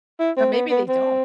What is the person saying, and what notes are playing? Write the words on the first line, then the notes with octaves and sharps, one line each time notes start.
Or maybe they don't.
E4
C4
B3
B3
C4